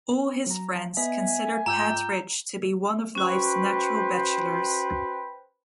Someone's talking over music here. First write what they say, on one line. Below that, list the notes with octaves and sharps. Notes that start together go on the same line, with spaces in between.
All his friends considered Pett Ridge to be one of life's natural bachelors.
F#3 A#5
B3 D#5 E5 G#5
G#2 F4 G5 A#5 D6 E6 G6
C#4 F#4 B4 C5 G5